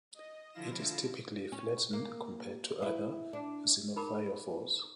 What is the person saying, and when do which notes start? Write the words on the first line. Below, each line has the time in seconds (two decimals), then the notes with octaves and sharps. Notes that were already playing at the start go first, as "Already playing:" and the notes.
It is typically flattened compared to other xenophyophores.
0.15 D#5
0.52 D3 F3 E4 F4 A#6 E7
1.52 C#4
1.93 A#3
2.82 E4
3.33 D4
3.96 D#4 A#4 B5 D6